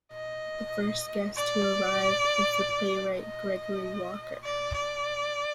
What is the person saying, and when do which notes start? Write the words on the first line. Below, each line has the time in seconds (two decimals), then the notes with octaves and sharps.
The first guest to arrive is the playwright Gregory Walker.
0.12 D#5
1.36 D5
3.20 D#5
4.44 D5
4.74 D5